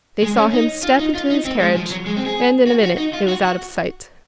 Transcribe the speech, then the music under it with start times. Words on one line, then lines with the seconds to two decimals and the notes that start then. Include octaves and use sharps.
They saw him step into his carriage, and in a minute it was out of sight.
0.23 G#3
0.37 C#4
0.53 D#4
0.83 F4
0.99 D#4
1.15 F4
1.30 D#4
1.45 C4
1.60 G#3
1.76 F3
1.90 F#3
2.06 G#3
2.16 C4
2.26 G#4
2.67 F#4
2.83 F#4
2.97 D#4
3.13 F4
3.28 F#4
3.44 F#4